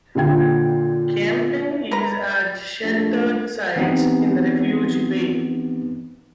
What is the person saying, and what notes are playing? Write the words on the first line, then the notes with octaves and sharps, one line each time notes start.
Camping is at sheltered sites in Refuge Bay.
A#2 D3 F4 G5 G#6
A#4 B4 A#5
A#1 A3
E3 B3 C4 D#4 G4